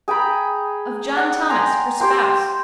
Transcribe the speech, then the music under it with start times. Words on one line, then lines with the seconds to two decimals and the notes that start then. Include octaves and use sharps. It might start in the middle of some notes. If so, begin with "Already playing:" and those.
Of John Thomas, her spouse.
0.08 G#4 G5 A#5 B5
1.17 D5 F#5
1.50 G5 G#5 A#5 C6
2.00 G4 C5 G5 C6